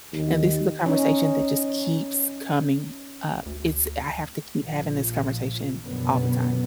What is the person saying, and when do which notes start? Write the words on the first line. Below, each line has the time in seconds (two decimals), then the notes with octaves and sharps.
and this is a conversation that just keeps coming up. It's I have to keep having this conversation all the time.
0.12 D#2
0.86 C#4 D#4
3.46 D2
4.59 A#1 A#2 F3
5.82 F1 F#2 B2 D3 B3